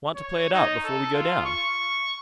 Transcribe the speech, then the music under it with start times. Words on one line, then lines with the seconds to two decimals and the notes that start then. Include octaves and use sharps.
"Want to play it out, before we go down?"
0.16 C#5
0.53 D#4
0.84 A4
1.14 F4
1.45 C#6